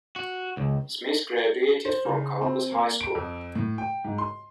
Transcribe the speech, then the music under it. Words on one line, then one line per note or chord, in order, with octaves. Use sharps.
Smith graduated from Columbus High School.
F#4
C#2
C5
C#3
C4
A#3
D7
F2
A2
G5
G#2
C6